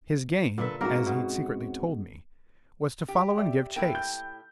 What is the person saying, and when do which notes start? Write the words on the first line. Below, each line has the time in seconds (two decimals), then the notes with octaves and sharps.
His game--as he'd secretly told me--was to follow and give chase.
0.58 A#2 D3 A4 B4 E5
0.81 G#2 A#3 C4 C#4 F#4 A#4
1.06 B2
3.08 G4
3.38 D5 E5
3.76 A2 A#3 E4 G5
3.95 G6